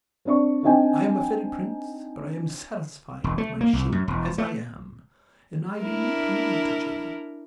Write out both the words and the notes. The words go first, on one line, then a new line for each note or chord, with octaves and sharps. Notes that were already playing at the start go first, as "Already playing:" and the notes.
I am a fairy prince, but I am satisfied with my shape as I am; and I do not want to change.
C4 D4 D5 C#6
C4 D4 D#4 D#5 G5 G#5
E1
A3
A#3
C2
F#2
E1
A3
D4 E4 A#4